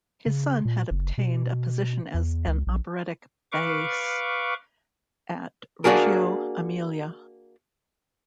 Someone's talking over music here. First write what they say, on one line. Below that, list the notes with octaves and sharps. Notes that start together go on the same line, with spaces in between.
His son had obtained a position as an operatic bass at Reggio Emilia.
C#3
A#2
F#1
B2
E2
C#2
A#1
B4 F5 C#6 D6
A#3 D4 F#4 G#4 A#4